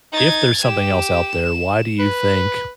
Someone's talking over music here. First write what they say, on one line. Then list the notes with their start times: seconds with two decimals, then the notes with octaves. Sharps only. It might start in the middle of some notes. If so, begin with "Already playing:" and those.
if there's something else out there, why do you think
0.13 D#4 G#6 A6
0.64 G4 E7
1.99 B4